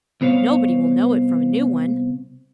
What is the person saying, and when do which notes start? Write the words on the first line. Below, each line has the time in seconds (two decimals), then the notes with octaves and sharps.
Nobody will know it from a new one.
0.21 C2 B3 C5 C#5 F5